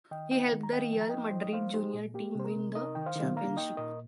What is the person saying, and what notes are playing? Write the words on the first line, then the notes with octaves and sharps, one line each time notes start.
He helped the Real Madrid junior team win the championship.
D#3 D#5 G5
D#4 D#5 G5
D#3
A#5
D#3 D#5 G5
F3 G5
A#5
D#4 D#5 G5
F3 C5
D#5
A#3 C5 F5
D#4 G4 C5
A#2
A#3 G4
C3 C5
A#4
C3
D#4 A#4 D#5
D#3 G5
C5 F5
D#3
A#3 F5 A#5
D#4 D#5 G5
A#2 A#4 D#5